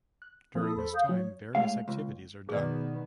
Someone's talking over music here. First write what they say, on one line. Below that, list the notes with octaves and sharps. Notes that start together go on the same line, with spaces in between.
During this time, various activities are done.
F#6
F3 C4 E4 A4 D#6
E2 A4 C5 B5
F5 D#6 G6
F#3 C#5
A2 G#3 F5
C#2
B2 D#3 B3 G#4 D5